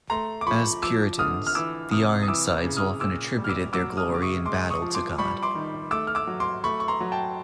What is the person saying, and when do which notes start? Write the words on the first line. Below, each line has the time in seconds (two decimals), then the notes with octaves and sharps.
As Puritans, the Ironsides often attributed their glory in battle to God.
0.10 A3 A#5 C6
0.41 D6
0.46 F3 B5 C#6
0.83 F3 D6 E6
1.19 D3 D#6 F6
1.47 F6
1.55 E3 D6 E6
1.91 C3 D#6 F6
2.23 D#6
2.28 E3 D6 E6
2.64 C#3
2.77 D#6 F6
3.00 A#2 D6 E6
3.37 G3
3.44 F6
3.49 D6 E6
3.73 F#3 D6 E6
3.97 D#6 F6
4.09 C#3
4.14 D6
4.22 C#6 D#6
4.46 G#3 C6 D6
4.70 C#6 D#6
4.82 F3
4.94 C6 D6
5.18 G3 B5 C#6
5.43 C6 D6
5.55 D#3
5.91 A3 D6 E6
6.07 F6
6.15 D6 E6
6.27 F#3
6.40 C6 D6
6.64 A3 B5 C#6
6.80 C#6
6.88 A#5 C6
7.00 F#3
7.12 G5 A5